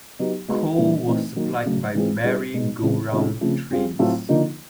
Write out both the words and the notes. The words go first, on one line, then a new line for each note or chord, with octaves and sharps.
Coal was supplied by Merry-go-round trains.
F#3 B3 D#4 G4
G#3 B3 D#4 F#4
A#2 G3 A#3 D4
E3 A3 C4 D#4
D#3 F#3 A#3
C#3 F#3 A3
E3 G#3 C4 F4 G#4
G3 B3 D4 F4 G#4
B2 G#3 B3 D#4
C#3 E3 G#3 C4 F4
C3 D#3 G#3 C#4 F4
C#3 F3 A3 C4
G3 C4 F4 G#4
A2 F#3 A3 C4 F4
D3 F3 A#3 D#4